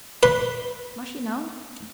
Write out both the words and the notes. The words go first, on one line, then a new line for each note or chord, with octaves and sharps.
"Must she know?"
B4 C6